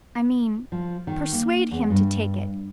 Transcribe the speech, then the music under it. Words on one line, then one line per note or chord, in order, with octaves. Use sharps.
I mean, persuade him to take it....
F3
D#3
A#3
E2
G2